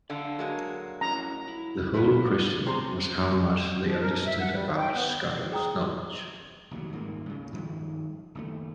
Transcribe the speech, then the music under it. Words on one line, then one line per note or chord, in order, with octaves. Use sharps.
The whole question was how much they understood about Scudder’s knowledge.
D3 D5 F5 A5
F#3 G#3 A#3
C#4 E4 A#5
E4
E3 A#3 B3 D4 A#4 B4
C#2 C3 G#4 C5 A#5 C6
F3
A#4
B2
E5
F#5
G3
F#3
G5
B3
G#4 G5 A#5 D#6
F1 D#2 F#3
D#1 G#2 G#3 A#3
D2 C#3
G2 D#3 F3 G#3
F#1 D#2 A3